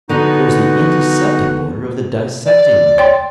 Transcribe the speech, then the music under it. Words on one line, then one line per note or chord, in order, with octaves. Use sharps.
It was the antiseptic odour of the dissecting-room.
D3 B3 D#4 F#4
D5
C#5 G5 C6